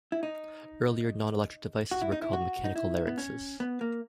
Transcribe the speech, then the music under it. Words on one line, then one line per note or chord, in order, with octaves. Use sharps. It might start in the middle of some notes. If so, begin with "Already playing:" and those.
Earlier non-electric devices were called mechanical larynxes.
E4
D#4
F#4
E4
D#4
E4
F#4
D#4
E4
B3
C#4
B3
A#3